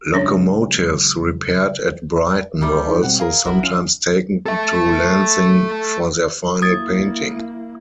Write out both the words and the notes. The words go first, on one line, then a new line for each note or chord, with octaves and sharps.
Locomotives repaired at Brighton were also sometimes taken to Lancing for their final painting.
C#2 F#3 G#3 C#4 D4 C#5
D2 D#3 G3 A3
E3 D#4 G#4
B2 G3 C4 F#5
G#4 A#4 F5
A#1 E4 F#4 A#4
C#4 F4
A4 E5
A#3 E4 D#6 G#6 A6